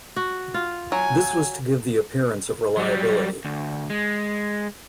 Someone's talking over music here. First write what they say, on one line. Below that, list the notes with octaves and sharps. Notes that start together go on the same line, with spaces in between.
This was to give the appearance of reliability.
F#4
F4
F#3 G#5
F#3 G3
D2
G#3